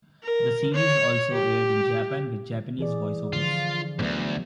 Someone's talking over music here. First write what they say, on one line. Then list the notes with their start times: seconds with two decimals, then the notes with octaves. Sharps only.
The series also aired in Japan with Japanese voice-overs.
0.24 A#4
0.74 C#5
1.32 G4
2.79 E3 G#4 D5
3.33 D3 F3 F4
3.99 D2 G#2 F#3 B3